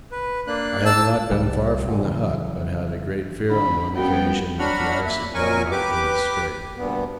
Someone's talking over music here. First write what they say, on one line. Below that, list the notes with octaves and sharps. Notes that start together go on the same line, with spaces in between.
I have not been far from the hut, but had a great fear on one occasion that the ice had gone out in the Strait.
B4
A#3 D4 F#6
A5 E6
C2 C3 D#3 G3
F#1 A2
C#3 E3 F#3
D3 B5
F#2 G3 B3 G5
F#3 D4 F#4 F#5 B5 F6
A#3 E5 B5
A#2 F#3 A#4 G#5 C#6
G4 B4 D6
D2 G2 A#2 B3